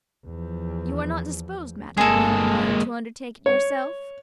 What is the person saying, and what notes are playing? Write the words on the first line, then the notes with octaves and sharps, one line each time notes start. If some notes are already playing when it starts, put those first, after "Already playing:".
"You are not disposed, madam," he inquired, "to undertake it yourself?"
E2 F3
G1 G#3 A#3 G#4 A4
C#5